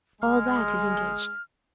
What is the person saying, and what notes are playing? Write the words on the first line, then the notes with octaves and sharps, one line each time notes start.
"All that is engaged."
G1 G#3 F6